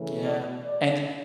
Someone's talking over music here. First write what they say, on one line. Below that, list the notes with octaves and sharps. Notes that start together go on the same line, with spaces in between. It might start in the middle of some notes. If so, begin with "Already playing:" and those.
Yeah, and,
Already playing: C#3 E3 A3
D5
D5